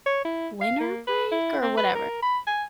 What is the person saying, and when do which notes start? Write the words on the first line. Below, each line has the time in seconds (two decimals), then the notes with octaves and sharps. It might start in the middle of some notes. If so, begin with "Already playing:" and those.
winter break or whatever.
0.06 C#5
0.25 E4
0.61 F5
0.80 A#3
1.07 B4
1.31 E4
1.62 C4
1.77 B4
1.95 A#4
2.22 B5
2.47 G#5